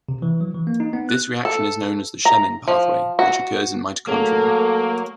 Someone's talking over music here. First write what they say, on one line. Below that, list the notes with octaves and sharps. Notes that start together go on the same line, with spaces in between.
This reaction is known as the Shemin pathway, which occurs in mitochondria.
C3
E3
F#3
E3
A#3
D#4
B3
F#6
A4
A#5
F3
F#4
F#3 A3 A#3 C#4 G#4 A4